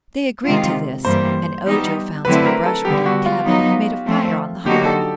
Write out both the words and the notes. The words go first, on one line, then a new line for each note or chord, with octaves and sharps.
They agreed to this and Ojo found some brushwood in the cabin and made a fire on the hearth.
C3 D#3 G#3 C4 F4
G2 E3 G3 A#3 C5
E3 G3 B3 D#4
D3 F#3 A3 C4 E4 B4
A#4
A4
D3 G3 B3 G4
F#4
F4
F#3 B3 D#4
F3 A3 C4
D3 F#3 A#3 D#4 F#4 G4
A4